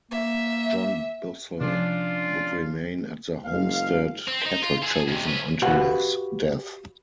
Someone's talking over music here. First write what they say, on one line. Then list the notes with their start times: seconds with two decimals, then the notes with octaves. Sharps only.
John Bussell would remain at the homestead "Cattle Chosen" until his death.
0.11 A#3 E5
1.61 C3 F3 C#4 D4 F4
3.46 F#1 G#3 F5
4.28 C4
4.46 D#4
4.62 F4
4.83 G#4 A4
5.08 F2 C3
5.27 C#4 B4
5.62 F#4 G4 B4 F5 F#5